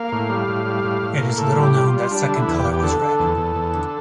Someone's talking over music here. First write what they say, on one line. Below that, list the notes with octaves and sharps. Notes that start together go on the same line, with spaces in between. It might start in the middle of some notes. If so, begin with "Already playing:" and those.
It is little known that second color was red.
Already playing: A#3 F5
A2
G3
A2
G3
A2
A2
A#3
A2 A4
G3
G4
G3
F4
G3
G3 D4
D3
E4
E2
G4
E2
G4
D3 A4
D3
E2
E2
E2
D3